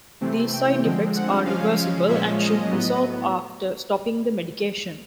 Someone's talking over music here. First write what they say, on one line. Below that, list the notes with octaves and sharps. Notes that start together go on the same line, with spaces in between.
These side effects are reversible and should resolve after stopping the medication.
C3 E3 A3 C4
G5
D3 F3 G#3 C4
F#5
C#3 F3 G#3 C#4 F5
A#2 F3 G#3 C#4 E5
D#5
A2 F#3 B3